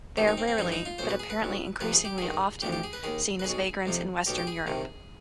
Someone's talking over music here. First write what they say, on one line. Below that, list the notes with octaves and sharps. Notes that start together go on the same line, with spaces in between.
They are rarely-but apparently increasingly often-seen as vagrants in western Europe.
D2 C3 D#3 G4
D#4
C4
C4
G2 D3 F3 D#4
D#4
F4
B1 B2 C5
B4
G#4
B4
B1 B2
C2 C3 F3 B4
G#4
G4
G2 D#3 G#4
D2 D3 F3 G4
G4
G#4
B4
D#2 D#3 G#4
B4
B1 B2 G#4
F2 C3 F3
B1 B2 G4
G4
G#4
C2 C3 D#3